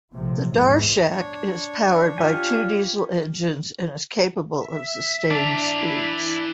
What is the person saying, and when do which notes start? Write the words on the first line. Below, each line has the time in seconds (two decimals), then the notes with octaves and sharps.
The "Darshak" is powered by two diesel engines and is capable of sustained speeds.
0.14 A#1 A2 C3 F3
0.55 E2 G#2 E3 G#3
1.11 D4 C#5
2.18 F4 G4 G#5
4.64 E5
5.31 E3 D4 A#5
5.77 E4